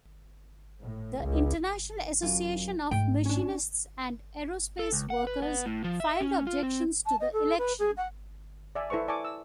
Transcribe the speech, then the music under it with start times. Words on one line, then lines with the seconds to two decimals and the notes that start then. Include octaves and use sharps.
The International Association of Machinists and Aerospace Workers filed objections to the election.
0.81 A2
1.22 C#2
2.22 F#2 F4
2.91 G#2 A3 G5
3.26 C#4 D4
4.79 A4
4.93 C#2
5.10 F#5
5.27 B4
5.42 B3
5.66 A2
5.84 F3
6.00 E5
6.20 C#4
6.47 F4
6.63 C4
7.06 A5
7.20 D#5
7.33 A4
7.58 B4
7.79 G#4
7.97 F#5
8.75 D5 E5 G#5
8.90 E4 A4 B4 C5 C#6
9.08 D5 G#5 A5 C#6 D6
9.25 E6